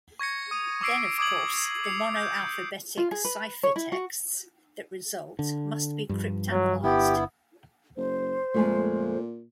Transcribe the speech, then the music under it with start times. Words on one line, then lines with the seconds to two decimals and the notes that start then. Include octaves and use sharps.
Then, of course, the monoalphabetic ciphertexts that result must be cryptanalyzed.
0.19 C#6 G#6 A#6 C#7
0.51 D#6 D#7
0.81 C#6 D6 E6 C7 D7
1.18 D6 D#6 G#6 F#7
1.84 C7 C#7 F7
2.16 G6
2.98 F4
3.11 G#4
3.25 B4
3.63 C#5
3.76 E4
3.92 F#4
5.39 D3
6.09 G2 F3
6.51 F#3
6.84 G1 B3 E4 G4
7.97 F#1 C5
8.54 F2 A#2 G#3 A3